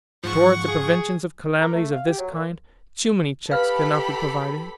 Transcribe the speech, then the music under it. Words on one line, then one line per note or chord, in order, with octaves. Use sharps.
Towards the preventions of calamities of this kind, too many checks cannot be provided.
G#2 F3 F#5 C#6
G#4
A#4
A3
F5
G4
F#3
A#2
G4 A4 B4 F5 B5 F6